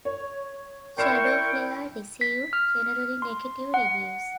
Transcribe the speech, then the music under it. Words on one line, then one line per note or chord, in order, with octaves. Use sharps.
"ShadowFlare" received generally negative reviews.
C#5
E4 A#4 D5 G5 C6 C#6 C7 E7
B6
F6
C6
F#5